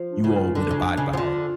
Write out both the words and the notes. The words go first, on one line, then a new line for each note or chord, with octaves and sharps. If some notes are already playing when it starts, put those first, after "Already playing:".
you all would abide by?
Already playing: F3
D4
C#3 F4
D3 D4
C#3
C#3
F3
D3 F4